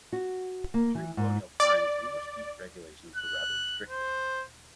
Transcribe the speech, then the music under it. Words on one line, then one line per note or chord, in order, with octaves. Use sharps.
During colonial times, English speech regulations were rather restrictive.
F#4
A#3
E3
G#2
D5
F#6
C5